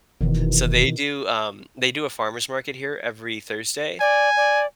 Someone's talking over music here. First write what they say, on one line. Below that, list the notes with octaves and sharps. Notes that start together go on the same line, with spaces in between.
so they do, um, they do a farmer's market here every Thursday,
F1 B2 D#3 E3
D5 G#5
D5